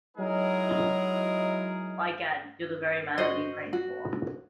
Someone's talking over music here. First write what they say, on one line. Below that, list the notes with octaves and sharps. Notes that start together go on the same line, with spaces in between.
By Gad, you’re the very man I’ve been praying for.
F#3 G#3 D#4 E4 G#4 A#4
F#4 C5 D#5
F#4